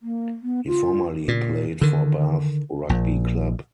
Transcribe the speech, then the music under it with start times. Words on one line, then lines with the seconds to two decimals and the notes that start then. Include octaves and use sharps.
He formerly played for Bath Rugby club.
0.02 A#3
0.43 B3
0.67 F4
1.28 A#2
1.81 D3 D#3
2.89 A#1 A#2